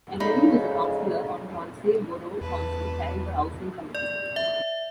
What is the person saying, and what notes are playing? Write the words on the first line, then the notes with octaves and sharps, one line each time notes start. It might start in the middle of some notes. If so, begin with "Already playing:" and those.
Emery was a councillor on Hornsey Borough Council, chairing the housing committee.
F2 G#2 C#3 D#4 A4 D5 B5
E2 B4 A5
D5
E5